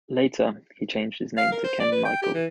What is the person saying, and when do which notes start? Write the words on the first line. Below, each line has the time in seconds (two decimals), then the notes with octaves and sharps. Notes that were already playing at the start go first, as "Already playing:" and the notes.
Later, he changed his name to Kenn Michael.
1.37 F5
1.52 A#4
1.64 C5
1.80 D5
1.92 B4
2.05 G5
2.22 G4
2.34 E3